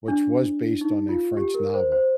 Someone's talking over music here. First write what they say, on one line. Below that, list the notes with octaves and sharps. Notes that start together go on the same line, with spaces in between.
which was based on a French novel,
D4
D#4
F4
G4
A#4
C5
C5